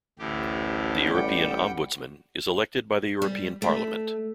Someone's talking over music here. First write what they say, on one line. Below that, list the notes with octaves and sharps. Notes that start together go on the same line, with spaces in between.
The European Ombudsman is elected by the European Parliament.
A1 D2 A2 G4
G3 F#5 G5
G3
A3